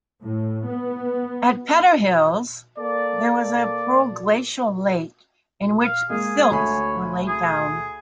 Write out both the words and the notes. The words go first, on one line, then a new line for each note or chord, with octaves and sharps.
At Petterhills, there was a proglacial lake in which silts were laid down.
A2
B3
A#3 A4 D5
F5
G#3 A#3 G#4
D2 C#5 G#5 B5
G#4